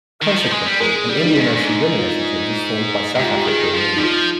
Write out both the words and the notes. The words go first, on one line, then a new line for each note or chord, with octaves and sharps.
Consequently, an Indian Ocean Rim Initiative was formed by South Africa and India.
D#3
F3
G#3
G3
G#3 A#4
G#4
G3 G4
D#4
G#2 D4
G2
G#2
D#4
F4
G#2 G4
F4
G4
D#3 G#4
F3
G3 D#4
F3 F4